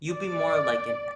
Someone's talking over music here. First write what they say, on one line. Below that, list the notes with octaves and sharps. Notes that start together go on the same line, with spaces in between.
you'll be more like an e
D5